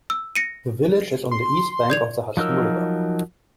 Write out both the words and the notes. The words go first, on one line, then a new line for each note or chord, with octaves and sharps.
The village is on the east bank of the Hudson River.
E6
A#6 C#7 D#7
C6
D5 G#6 F7
F3 F#3 D#4 A#4 E6